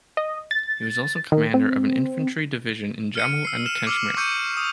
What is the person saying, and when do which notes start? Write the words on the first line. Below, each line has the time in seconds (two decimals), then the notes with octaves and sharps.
He was also commander of an infantry division in Jammu and Kashmir.
0.17 D#5
0.51 A6
1.32 D#3
1.54 C4
3.15 F6 C#7 D#7
3.45 E6 C7
3.66 F6 E7
3.87 D6 E6 F6
4.17 C#6 D6 E6 G6 C#7 D#7
4.57 D#6